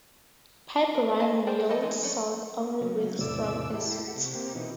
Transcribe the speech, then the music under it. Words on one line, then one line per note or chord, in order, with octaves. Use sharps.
Piperine yields salts only with strong acids.
A#4
E4 D#5 F5 G#5 A5
G#4 A#4 C5 D5 G5
F#3 G3 A4 D#5 A5
E3 G#3 D#4
F#3 A3 C#4 D5
C#3 F#3
E2 A2 C3 D5 E6
E4 G4 A4
C3
A#3 C4 G4
B2 E3 D#4